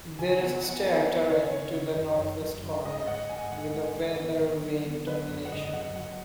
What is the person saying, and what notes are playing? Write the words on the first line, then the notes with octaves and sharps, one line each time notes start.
There is a stair turret to the north-west corner, with a Weather vane termination.
C#3 G#5
B3 F#5
B3 F#5
B3 G#5
B3 F#5
C#3 C#5
C#3 C#5
C#3
F#2
F#2
F#3
C#3
G#2 D#5
G#2 F#5
G#3 G#5
G#2 F#5
G#3
G#2
B3
D#3
F#3
B3
F#3 B4
F#2
F#5
G#2 D#5
F#3 F#5
F#3 F#5